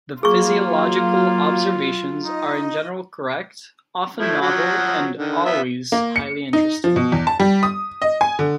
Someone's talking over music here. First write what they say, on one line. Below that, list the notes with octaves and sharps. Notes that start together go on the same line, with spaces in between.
The physiological observations are in general correct, often novel, and always highly interesting.
F#3 A#3 F4 G#4 C#6
D#4 D#5
F3 A3 E4
F3 F#3 F#4
D3 D#3
B3 F4 E5
A#3
C#7
D#4
F3
B2
E2
A5
G3
D#6
D#5
G#5
D3